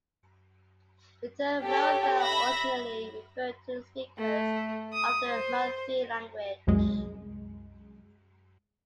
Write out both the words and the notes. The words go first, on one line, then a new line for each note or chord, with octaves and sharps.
The term "Maratha" originally referred to the speakers of the Marathi language.
G4 A4 C#5
E5 B5 A#6
A3
D#6
C5
C2 F#2 G#3